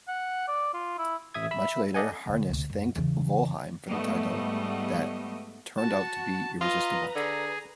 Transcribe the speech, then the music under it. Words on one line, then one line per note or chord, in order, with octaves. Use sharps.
Much later Harness thanked Wollheim for the title that "turned out to be irresistible".
F#5
D5
F4
E4
A1 E5 D#6 G#6
E5 B5 E6
A4 D5 D#5 F#5 G#5
E1 D3
D2 C3
F#2
E2 C#3
G#2 G3 A3 B3 D#5
F#4 A5
F4 B4 D#5 A#5
D3 G#4